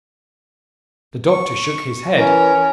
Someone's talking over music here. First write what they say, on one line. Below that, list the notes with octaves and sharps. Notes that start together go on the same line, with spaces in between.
The doctor shook his head.
C#6
E3 C#4 A#4 C#5